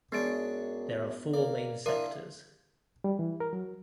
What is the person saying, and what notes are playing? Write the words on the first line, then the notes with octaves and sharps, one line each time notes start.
The are four main sectors.
F#2 G#3 B3 D4 C#5 A6 D7
A#3 D5
A#3 D4 E4 F4 A#4
G3
E3
A#4
F#3